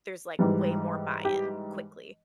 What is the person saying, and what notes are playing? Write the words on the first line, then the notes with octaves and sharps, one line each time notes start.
there's, like, way more buy-in, quickly.
G#2 E3 G3
G4